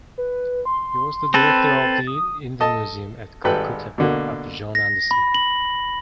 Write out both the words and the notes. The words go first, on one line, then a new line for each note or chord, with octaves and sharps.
He was the director of the Indian Museum at Calcutta, after John Anderson.
B4
C6
C4 A4 B4 A6
D#6
A4 D#5 A5
G#1 G3 A4 B4 G5 B5
B2 D3 A#3
A#6
B5
F#7